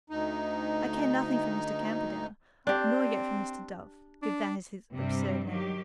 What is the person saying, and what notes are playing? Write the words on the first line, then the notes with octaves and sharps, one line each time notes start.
I care nothing for Mr. Camperdown; nor yet for Mr. Dove,--if that is his absurd name.
D2 D#4
C4 D4 G4
D4
G2 C3 G3 C4
D#3 F#3 G4